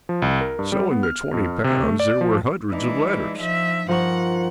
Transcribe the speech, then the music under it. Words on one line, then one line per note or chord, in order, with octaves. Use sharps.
So in the twenty pounds there were hundreds of letters.
F3
C2
A#4
G2
G3
B3
F6
F2
C3
A3
D5
F3
E3 G#3 D4 D#4
F3 E5
G2 F3 A#4 F#5 C#6